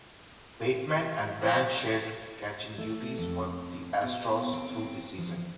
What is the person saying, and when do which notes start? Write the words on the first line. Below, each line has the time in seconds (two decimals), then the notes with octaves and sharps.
Bateman and Brand shared catching duties for the Astros through the season.
1.42 C3 F3 C5
2.78 A3
3.18 F2
4.01 B2
4.53 C4
5.18 F3